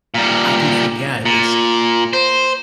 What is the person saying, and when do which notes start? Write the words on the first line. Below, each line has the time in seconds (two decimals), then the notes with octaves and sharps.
I do think yeah, it's
0.14 A#2 G3
1.25 A#2
2.13 C5